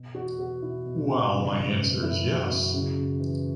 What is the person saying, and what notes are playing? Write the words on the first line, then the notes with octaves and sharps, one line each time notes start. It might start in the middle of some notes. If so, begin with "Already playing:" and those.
While my answer is yes.
Already playing: B2
E2 F#4
B2 F#4
B2 E4
B2
B2
C#3
E3
F#2
F#2 E4
F#2
F#4
F#2
C#3
C#3
E3